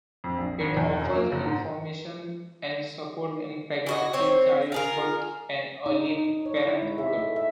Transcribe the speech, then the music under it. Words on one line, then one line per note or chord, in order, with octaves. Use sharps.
It offers information and support in pregnancy, childbirth and early parenthood.
F2
A#1
G#1
E2
F#2
A#3
F#1
G#2
E3 F#4 D#5
C4 C5 C#5
F4 G#4 A#4
D#4
D#4
D#4
C#5
E4
G#3
E5
A3
E5